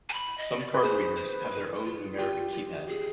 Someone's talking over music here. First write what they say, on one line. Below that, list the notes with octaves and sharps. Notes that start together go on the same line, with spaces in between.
Some card readers have their own numeric keypad.
G#5
B5
D#5
D5
B4
G#4 C5
C5
B4
F4
F4 G4
F4
G4 G#4